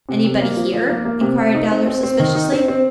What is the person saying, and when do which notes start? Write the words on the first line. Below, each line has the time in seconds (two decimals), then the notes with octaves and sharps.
'Anybody here?' inquired Dowler suspiciously.
0.09 C3
0.25 C3
0.41 A#3
0.57 F3
0.73 F3
0.89 A#3
1.05 A#3
1.21 C3
1.38 C3
1.55 D#4
1.71 C4
1.87 C4
2.03 C4
2.19 D#3
2.35 D#4
2.52 C4
2.68 C4